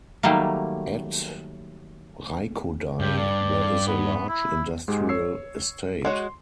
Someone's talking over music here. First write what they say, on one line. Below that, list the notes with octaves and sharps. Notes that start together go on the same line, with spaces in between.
At Raikodai there is a large industrial estate.
D#3 F#3 G3 A3 A#3
G2 G4
D5
B3
E4
G#2 G#3 G4
C#5 E6 C7
G#3 F#4 C#5 C6